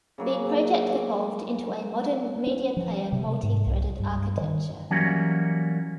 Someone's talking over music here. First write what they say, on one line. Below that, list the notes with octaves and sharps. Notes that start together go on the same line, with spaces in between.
The project evolved into a modern media player multi-threaded architecture.
C#3 F#3 A#3
C#4
F3
C3
G#2
C2
G2
D#3
E3 F#3 G3 A#3 C#4 F#4